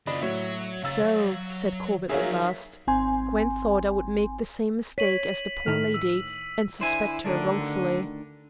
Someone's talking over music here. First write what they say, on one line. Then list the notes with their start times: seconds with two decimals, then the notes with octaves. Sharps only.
"So," said Corbett at last, "Gwen thought I would make the same mistake as the poor lady, and suspect her wrongfully."
0.07 F#1 D4 F4 D5 D#5 B5
0.21 A2 F#3 F#4 C#5 E5
0.83 C#3 F5 A#5 E6 A6
1.04 F#3 G3
1.32 F#3
2.09 F#3 D#4 G4 G#4 A#4 C#5 E5 F5
2.87 G#1 C4 G#5 C6
4.98 C#5 B6 D#7 F#7
5.66 A2 D#3 F6
5.94 E6
6.80 D3 E4 C5 G#5
7.25 D2 D3 D#3 D4